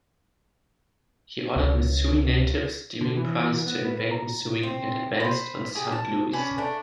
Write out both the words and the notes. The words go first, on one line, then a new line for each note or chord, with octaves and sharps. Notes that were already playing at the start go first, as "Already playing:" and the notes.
He ordered Missouri-native Sterling Price to invade Missouri and advance on Saint Louis.
C#2
D3
E3
B3
B4
A#5
C4
B4 C5
G4 G#4
A5
C#4 D4 B4
A3 D4